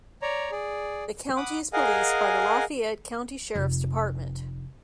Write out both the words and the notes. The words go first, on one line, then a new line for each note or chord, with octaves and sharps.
The County is policed by the Lafayette County Sheriff's Department.
C#5 D5 A#5
G#4 D5
F#5 B5 D6 D#6
G#4 A#4 D#5 F5 F#5 G#5
F1